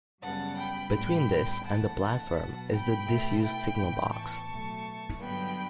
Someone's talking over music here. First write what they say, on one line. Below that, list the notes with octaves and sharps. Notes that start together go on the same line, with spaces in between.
Between this and the platform is the disused signal box.
F#2 C#3 G3 B3 F#5 A5
G5 B5
A2 G3 B3 G5 B5
E2 D3 A3 F#5 A5
F#5 A5
B2 F#3 B3
G5 B5
B2 A3
G5 B5
A2 E3 B3
A5 C#6
B2 F#3 A3
G2 D3 F#3 B3 G5 B5